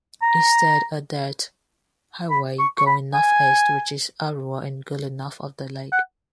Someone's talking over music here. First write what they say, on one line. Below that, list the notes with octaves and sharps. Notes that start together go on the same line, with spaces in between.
Instead a dirt highway going north-east reaches Arua and Gulu north of the lake.
A#5
B5
C#6
C#6
B5
G#5
F#5